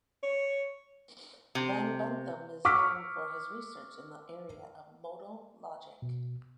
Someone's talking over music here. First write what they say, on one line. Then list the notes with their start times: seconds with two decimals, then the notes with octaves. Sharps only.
Van Benthem is known for his research in the area of modal logic.
0.23 C#5
1.55 C3
2.65 C#6 D6 E6 F6 B6
6.02 B2